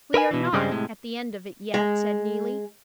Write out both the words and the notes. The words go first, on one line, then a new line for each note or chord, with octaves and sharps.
"We are not at the end of it yet," said Neelie.
A#4 B4 E5 G#5
B2 E3
G2 C#3 G3 G#3 C4
A2 C3 G#3
G#3